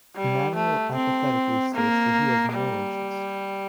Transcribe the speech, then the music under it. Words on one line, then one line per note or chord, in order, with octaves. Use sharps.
Immanuel apathetically states that he has no interest.
G3
A3
C4
A#3
G3